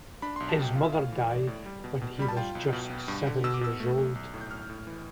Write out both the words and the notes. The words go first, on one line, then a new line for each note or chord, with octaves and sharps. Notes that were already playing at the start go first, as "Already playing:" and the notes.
His mother died when he was just seven years old.
D4 B5
B1 C6
A5
B2 G5
F4 F5
E5
A2 F5
E3
A2 D5
A2
G3
B2
B2
G3 B5
A5
F4 G5
B1
B2
B3
G2
D3
B2 E6
D6
B2 E6
A3
B1
B1
A2
G6
A2 F6
A2
E3